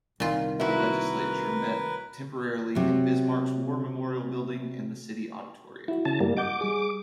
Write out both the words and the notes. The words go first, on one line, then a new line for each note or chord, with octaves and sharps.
The Legislature met temporarily in Bismarck's War Memorial Building and the City Auditorium.
C2 A#2 D#3 F4
E4 F#4 A#4 B4
C3 F#3
E4 F#4
C#3 A5
G2 G3 A#3
D#5 F#5 D6 G6
G3 G#4